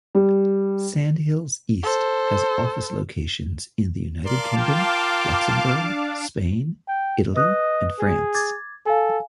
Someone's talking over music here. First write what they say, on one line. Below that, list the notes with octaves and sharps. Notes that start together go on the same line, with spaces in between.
Sandhills East has office locations in the United Kingdom, Luxembourg, Spain, Italy, and France.
G3
A4 C5
A#4 D5 F5 A5 C6 D6
F4 A#4 G5
D4
G5
B4 D#5 D#6 F#6
G#4
D6 G#6 A6
A4 F5 G#5